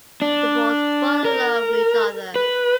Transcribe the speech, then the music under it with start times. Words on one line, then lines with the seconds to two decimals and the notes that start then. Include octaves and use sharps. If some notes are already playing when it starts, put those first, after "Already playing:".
They both fall in love with each other.
0.22 D4
1.25 A#4
2.36 B4